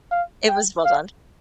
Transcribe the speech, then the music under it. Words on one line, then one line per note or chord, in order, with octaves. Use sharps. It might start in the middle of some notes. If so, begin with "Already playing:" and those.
it was well done.
F5
G5
F5